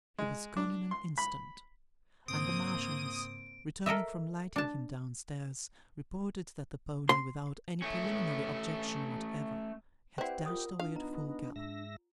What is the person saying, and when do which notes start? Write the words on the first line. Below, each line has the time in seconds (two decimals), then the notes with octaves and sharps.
He was gone in an instant; and the Marchioness, returning from lighting him down-stairs, reported that the pony, without any preliminary objection whatever, had dashed away at full gallop.
0.18 G#3
0.57 D4
0.91 C6
1.18 B5
2.28 G#2 C#3 A#3 C4 D#6 D7
3.86 A4 A#4 D#5 E5
4.56 D4 A5
7.09 C6
7.82 A3 C#4
10.18 C4 E4 G4 B4 C5 D5 F#5
10.46 F4 A#4 D#6
10.80 D4 F5
10.96 B3 D#4 A#5
11.56 G#2 E5 A#6